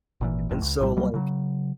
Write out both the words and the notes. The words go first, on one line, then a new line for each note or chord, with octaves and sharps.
and so, like,
G#1 A#2 E3
F#1 F2 A2
C#2
A#1 A2 D#3 G3
C#2 F#3 G3 A#3
C#3 F#3